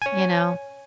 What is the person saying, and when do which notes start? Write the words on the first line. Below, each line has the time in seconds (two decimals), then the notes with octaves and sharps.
You know?
0.02 C#5 G#5